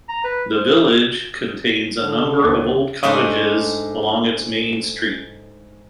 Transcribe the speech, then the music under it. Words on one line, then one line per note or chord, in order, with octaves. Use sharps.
The village contains a number of old cottages along its main street.
A#5
B4
C5
D3
D#2
G#2 G#3 A3 D4 D#4